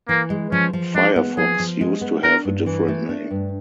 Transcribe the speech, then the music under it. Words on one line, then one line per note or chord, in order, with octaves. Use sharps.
Firefox used to have a different name.
E3 A#3
G#3
F3 C#4
F3
G#3 D4
B3
F3 G#4
F3
G#3
B3
D4 A#4
G2
E3
A3
D4
G2